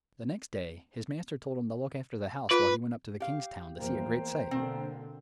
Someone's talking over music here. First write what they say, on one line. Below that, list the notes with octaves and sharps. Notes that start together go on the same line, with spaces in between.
The next day, his master told him to look after the house while he went up to the king's town, to see a great sight.
F4 B4
G4 F5
E2 F3 A#3 C5 G5 A#5
B2 D3 A#3 C4